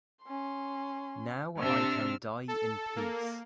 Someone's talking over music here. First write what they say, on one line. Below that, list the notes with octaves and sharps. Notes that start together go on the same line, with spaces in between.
Now I can die in peace.
C#4 C6
C3 D4 E6 F6
A4
A#3